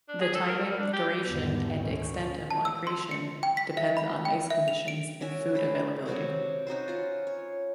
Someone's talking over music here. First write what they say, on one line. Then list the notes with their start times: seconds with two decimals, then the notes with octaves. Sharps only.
The timing, duration, and extent of migration depends on ice conditions and food availability.
0.09 D4
0.21 G#4
0.35 A4
0.48 A#4
0.65 G3
0.79 D4
0.93 G4
1.26 G#1 E2 D3 G3 B3
1.77 D2 A#2 C#4
2.51 A5
2.65 E6
2.87 C6
3.11 C#7
3.43 G5
3.57 B6
3.77 E5
3.97 B5
4.25 G5
4.50 E5
4.68 F7
4.88 D7
5.21 C#4 F#4 E5 G#5
5.55 C5 B5
6.06 C3 F#4 C#5
6.67 C#4 D#4 F#4 C5
6.88 F4 F#5
7.27 C#5